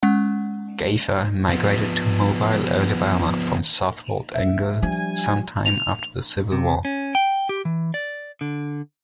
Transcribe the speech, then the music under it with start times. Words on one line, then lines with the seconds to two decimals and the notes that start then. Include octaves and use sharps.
Gayfer migrated to Mobile, Alabama from Southwold, England sometime after the Civil War.
0.03 G#3 C#4 F#5
1.49 F3 B3
4.35 E5
4.82 F3 G3 D4 G#5
5.66 F7
6.52 C3
6.85 C#4
7.15 G5
7.49 G4
7.65 E3
7.94 D5
8.41 D3